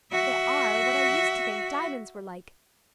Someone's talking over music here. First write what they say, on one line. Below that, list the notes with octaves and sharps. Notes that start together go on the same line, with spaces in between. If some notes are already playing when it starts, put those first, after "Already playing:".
They are what I used to think diamonds were like.
F#4 E5